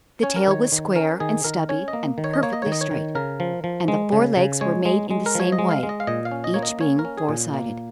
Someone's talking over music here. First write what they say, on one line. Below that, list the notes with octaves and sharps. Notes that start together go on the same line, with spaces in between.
The tail was square and stubby and perfectly straight, and the four legs were made in the same way, each being four-sided.
C#4 C#5
A#4
D#3 C#5
D#3
C#4 A#4
D#3 G#4
D#3 A#4
C#4 C#5
D#5
A#3
D#3
C#5
D#5
A#3 C#5
D#5
D#3 C#5
D#5
C#5
D#3
C#3 A#4
F3
F3
G#3
C#3
C#3
G#3 C#5
G#3
G#3
A#4
F3 C#5
D#5
G#3
F5
G#3
D#5
F5
A#2 D#5
F5
C#4
D#5
A#3 C#5
D#5
C#4 C#5
A#4
C#4
G#4
A#2
A#3